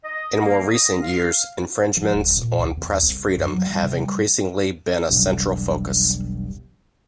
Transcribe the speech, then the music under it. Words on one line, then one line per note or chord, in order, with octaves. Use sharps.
In more recent years, infringements on press freedom have increasingly been a central focus.
D#5
A#3
D#5
F5
F3
D1
A#2
C#2
E2
C2
F#2
F#3
G3
C3
G3
E1 B1 G2